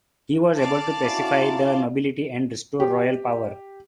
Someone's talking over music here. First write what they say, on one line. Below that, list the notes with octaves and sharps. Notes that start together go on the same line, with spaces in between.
He was able to pacify the nobility and restore royal power.
D5 F5 A5 D6
C#4 E4 F#4
D#4 F4
G4